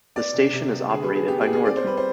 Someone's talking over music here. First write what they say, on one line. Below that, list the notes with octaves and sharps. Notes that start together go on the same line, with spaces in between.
The station is operated by Northern.
B3 D5
C3
C3
B3
D3 G#4
B4
D3
G#4
B3 G4
G#4
B3
G#4
C4 D5
C5
G3 B4
C5